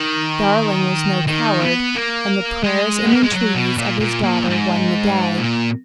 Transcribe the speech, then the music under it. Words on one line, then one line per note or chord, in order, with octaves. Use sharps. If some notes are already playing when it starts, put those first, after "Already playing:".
Darling was no coward, and the prayers and entreaties of his daughter won the day.
Already playing: D#3
D#3
B3
A#3
G#3
B3
A#3
G#3
F#3
B2
A#2
A#2
A#2
G#2
A#2